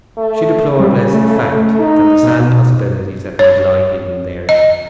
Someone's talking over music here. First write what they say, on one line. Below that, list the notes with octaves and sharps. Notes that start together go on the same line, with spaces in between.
She deplored less the fact than the sad possibilities that might lie hidden therein.
A3
C#3 G3
A3
D#4
B2
C#5
D#5